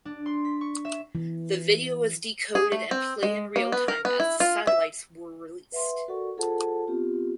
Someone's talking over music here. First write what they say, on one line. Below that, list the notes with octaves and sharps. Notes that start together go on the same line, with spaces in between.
The video was decoded and played in real time as the satellites were released.
D4
C6
B6
C#6
E5
E3
G#4
A3
C4
G#3
A#3
B3
A#4
B3
E4
F4
E5
B4 E5 F#5 C6
F#4 A4 A#4 D5 F#5 C#6
F4 G#4 A4 C5 F#5 A5
B3 C4 F4 G4